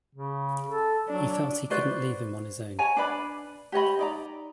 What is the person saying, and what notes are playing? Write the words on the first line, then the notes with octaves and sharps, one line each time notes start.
He felt he couldn't leave him on his own.
C#3
A4
F#3 D4
F#4 B4 C5 D5
C#5 G#5 A#5
D4 B4 D5 B5
G4 C#5 D#5 B5
D#4 D5 A#5